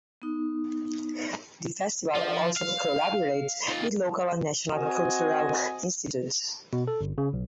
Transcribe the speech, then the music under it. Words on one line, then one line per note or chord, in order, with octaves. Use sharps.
The festival also collaborates with local and national cultural institutes.
B3 D#4
F3 F4
F5
D#3 F4
C4 F#4 D#5 G#5
B2
A4
G1
C#3
B1